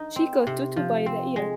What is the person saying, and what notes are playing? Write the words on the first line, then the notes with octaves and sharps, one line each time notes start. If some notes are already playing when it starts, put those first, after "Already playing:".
She caught Toto by the ear.
Already playing: D#4
C4
C3
F3
C4
G#3